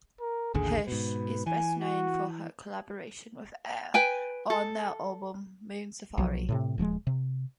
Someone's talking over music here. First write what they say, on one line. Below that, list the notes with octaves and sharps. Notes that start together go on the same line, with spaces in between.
Hirsch is best known for her collaboration with Air on their album "Moon Safari".
A#4
A1 D#2 D3 G#4
G#2 B2 B4
E3 G#5
F#4
B4 G5 G#5
A4
B1 F3 F#3
A2 C3
D#1 F3 G3 G#3
C3